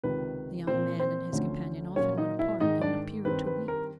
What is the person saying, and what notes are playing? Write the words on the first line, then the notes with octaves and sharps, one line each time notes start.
The young man and his companion often went apart and appeared to weep.
C#2 C3 D#3 B4
A#2 F3 A#3 C4 C5
C4 C5
D2 D3 F3 A3 C#4
A#2 F#3 A#3 C#4 C#5
D#4 D#5
E4 E5
G#2 D#3 G#3 D#4 D#5
D4 D5
G2 D#3 G3 C4 B4
B4
A#4